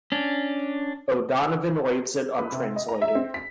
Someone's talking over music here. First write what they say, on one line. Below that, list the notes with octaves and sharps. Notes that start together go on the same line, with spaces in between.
O'Donovan leaves it untranslated.
C#4 D4
B4
C3
D#5
A#5
E5
C4
B6